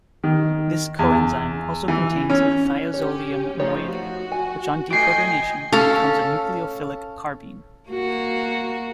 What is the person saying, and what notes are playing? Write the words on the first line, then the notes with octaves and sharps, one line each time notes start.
This coenzyme also contains a thiazolium moiety, which on deprotonation becomes a nucleophilic carbene.
D#3
E2
E3
C#4
C#4 G4 C#5
F3 A3 D#4 C#5
F#4
G#5
E3 A3 D#5 G5 G#5 C7 D7
C#4 A4 F5
A#3 F#4